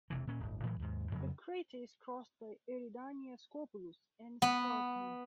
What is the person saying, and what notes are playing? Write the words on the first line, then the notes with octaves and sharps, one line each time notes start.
The crater is crossed by Eridania Scopulus, an escarpment.
E1 C3 E3
A#2 C#4
D1 G1
A2 E3 F#3 G#3
D#2 G#2
F2 C#3 F#3
B3